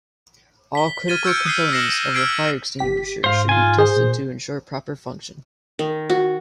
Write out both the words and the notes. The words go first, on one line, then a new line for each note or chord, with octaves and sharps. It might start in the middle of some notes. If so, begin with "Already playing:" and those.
All critical components of the fire extinguisher should be tested to ensure proper function.
B6 G7
F6 G#6 A6 D#7 G7
E6 F6 G6 G#6 C#7 D7
D#6 F#6 G6 B6 C7 G7
F6 A#6 C7 C#7 E7 F#7
E6 F6 G#6 B6 C7 D7
G1 G4 B6
G#2 C5 F5 C6
F4 G#5
G#4 C5
A#2
D#3
F#4